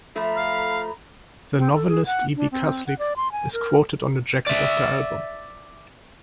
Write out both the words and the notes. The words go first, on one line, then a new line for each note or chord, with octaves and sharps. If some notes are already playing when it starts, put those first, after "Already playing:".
The novelist Ibi Kaslik is quoted on the jacket of the album.
F3 A3 A#5 B5
F5
C4
A4
G#4
F#5
D4
C4
F#5
D5
C6
G#5
A#4
D5 E5